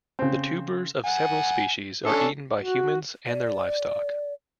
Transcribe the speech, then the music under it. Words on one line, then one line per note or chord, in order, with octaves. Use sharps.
The tubers of several species are eaten by humans and their livestock.
C#3 C4
F#5 G#5
C#4 D4 A4
F#4
D5